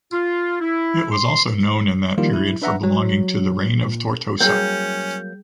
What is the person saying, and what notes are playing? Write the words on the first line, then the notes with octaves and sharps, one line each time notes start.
It was also known in that period for belonging to the reign of Tortosa.
F4
E4
C6
D#3 F3 G3 A#3 E4 F4
F#3 E4
D4 B4 E5 F#5 A#5
F#3
A#2
F#3 G3 A#3 C#4 G#4 G6